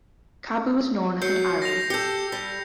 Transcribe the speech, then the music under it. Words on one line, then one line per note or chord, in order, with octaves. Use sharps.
Cabel was also known as Ary.
F#3 G6 C7 C#7
A#6 C7 F7
G4 A4 G6 C#7
G3